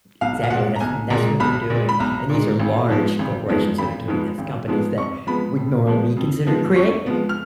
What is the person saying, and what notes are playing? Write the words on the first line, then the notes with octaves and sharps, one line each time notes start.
Exactly. That's and that's what they're doing. And these are large corporations that are doing this, companies that would normally be considered creative.
B1 F5
F5
A#2 G#3 F#5
A#5
B1 G#5
A#2 G#3 A#5
B1 B5
A#2 G#3
B5
B1 A#5
A#2 G#3
G#1
G#2 F3 G#3 B3
G#1
G#2 F3 G#3 B3
G#1 B5
G#2 F3 G#3 B3
G#1
G#2 F3 G#3 B3
F2 C#6
F3 G#3 B3 B5
F2
F3 G#3 B3
F2
F3 G#3 B3
F2 C#6
F3 G#3 B3
F6